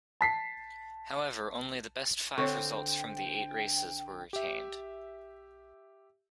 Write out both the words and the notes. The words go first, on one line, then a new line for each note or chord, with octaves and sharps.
However, only the best five results from the eight races were retained.
A5 B6 C7
D3 C4 C#5 G5 C#6
G4 E5